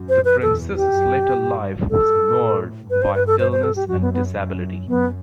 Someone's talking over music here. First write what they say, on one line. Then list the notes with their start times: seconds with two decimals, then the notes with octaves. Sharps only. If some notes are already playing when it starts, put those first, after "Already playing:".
The Princess's later life was marred by illness and disability.
Already playing: F#2
0.09 C5
0.25 B4
0.42 E2 A4
0.75 G4
0.91 F#2
1.41 G2
1.90 G2 A4
2.40 A2
2.90 G2 B4
3.02 C5
3.15 B4
3.27 A4
3.40 C5
3.52 C5
3.63 A4
3.76 G4
3.88 F#2 F#4
4.01 B3
4.14 B3
4.39 F#2
4.88 F#2 B3